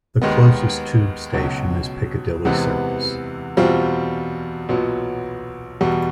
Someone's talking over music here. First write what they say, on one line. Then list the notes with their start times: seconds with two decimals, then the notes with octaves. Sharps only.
The closest tube station is Piccadilly Circus.
0.22 D#2 D#3 G#3 B3
1.33 C#2 B2 F#3
2.45 E2 C3 E3 G#3 B3
3.57 E2 B2 G3 C4 F4
4.69 B1 A#2 F#3 B3
5.81 E2 B2 G3